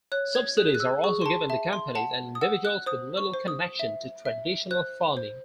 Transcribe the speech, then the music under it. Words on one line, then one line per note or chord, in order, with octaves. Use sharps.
Subsidies are also given to companies and individuals with little connection to traditional farming.
C#5 F#6
G#6
G#4 F#6
F#6
E6
G#4 C#6
C6
A5
E5 A5
C6
F#5 A5
D#6
F#5 E6
F#6
C5 D#6
C#6
C5
D#6
E5
E5
C5 F#6
C5